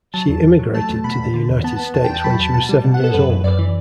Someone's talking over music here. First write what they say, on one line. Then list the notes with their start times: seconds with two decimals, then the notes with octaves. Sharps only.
She immigrated to the United States when she was seven years old.
0.14 F#3 A5
0.29 E2
0.44 E2
0.59 F#3
0.74 A3 A5
0.89 E2
1.04 B2 B5
1.19 E2
1.34 D3
1.49 E2
1.64 B3 A5
1.79 B3
1.94 E2 A5
2.04 E2 G5
2.14 A5
2.24 F#3 B5
2.39 E2 A5
2.54 B2 A5
2.69 G3
2.84 B2
2.94 F#5
3.00 B3 A4
3.14 F#2 B4
3.29 F#2
3.44 F#2 D5
3.59 E3